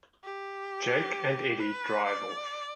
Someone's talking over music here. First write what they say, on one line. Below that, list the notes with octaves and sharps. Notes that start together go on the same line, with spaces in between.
Jake and Eddie drive off.
G4
B4
D5